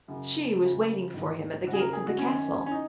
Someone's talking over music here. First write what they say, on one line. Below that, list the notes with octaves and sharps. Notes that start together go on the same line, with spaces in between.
She was waiting for him at the gates of the castle.
F#2 C#3
F#2 C#3
G#2 D#3
F#2 C#3 F#4
G#4
A#4
G#4
F#4
F#2 D#3 C#4
C#4
D#4